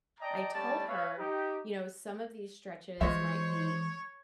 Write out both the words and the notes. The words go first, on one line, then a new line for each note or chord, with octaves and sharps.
I told her, you know, some of these stretches might be
D5 D#5 G5 A5 A#5
G3 A3 C#4 D5 A5
B4 C#5 E5 F5
D#4 G4
E3 G#3 F4 C5 C#5 D#5 E5